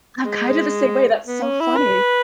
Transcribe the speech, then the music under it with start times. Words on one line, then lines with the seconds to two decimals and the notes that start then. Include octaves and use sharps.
I'm, kind of, the same way. That's so funny,
0.25 G#3
1.27 B3
1.43 C#4
1.60 E4
1.77 B4